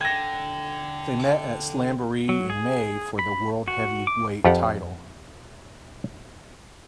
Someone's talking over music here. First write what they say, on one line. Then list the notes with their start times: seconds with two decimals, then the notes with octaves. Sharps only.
They met at Slamboree in May for the World Heavyweight Title.
0.01 D3 G5 G#6 A#6
2.29 F#3
2.50 G#4
3.19 B5
3.68 F#4
4.07 D6
4.45 F2 F4 G4 F#5